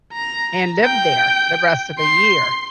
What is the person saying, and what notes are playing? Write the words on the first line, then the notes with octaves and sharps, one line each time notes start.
and live there the rest of the year.
A#5
G5
C6